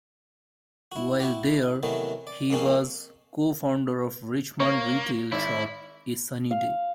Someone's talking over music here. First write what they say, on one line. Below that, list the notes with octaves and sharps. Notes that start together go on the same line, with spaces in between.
While there, he was co-founder of Richmond retail shop "A Sunny Day".
E4 F#4
E4 F#4 G4
C3 D#3 E3 F#3 A3 B3
D5
F2 G#2 C#3 A#3 C4 C#4
A#3 C#5
G#1 E4
F5